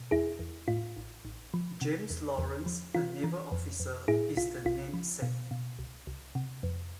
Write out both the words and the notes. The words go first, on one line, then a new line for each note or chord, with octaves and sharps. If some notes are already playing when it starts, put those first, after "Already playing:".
James Lawrence, a naval officer, is the namesake.
Already playing: B2
E2 E4 G#4
E2
A2 F4
A1
A1
F3
C3
E2
E2
F3
E3 F4
E3
F2
F2
A2 E4 G#4
B1 F4
B1 F4
F3
B2
B2
C2
C2
C3
F2